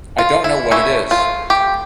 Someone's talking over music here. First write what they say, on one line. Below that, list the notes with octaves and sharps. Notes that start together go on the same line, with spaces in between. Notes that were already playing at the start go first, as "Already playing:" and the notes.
I don’t know what it is.
F4
E4
E3 A3 C#4 E4
F4
G4